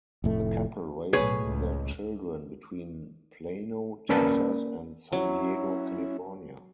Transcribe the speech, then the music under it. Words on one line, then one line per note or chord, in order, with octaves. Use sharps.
The couple raise their children between Plano, Texas and San Diego, California.
F1 A2 A3
B1 A2 G#4 B4 C#5
C#2
A#3 C#4 A#4 B4 D5 A5
F#3 C#4 E4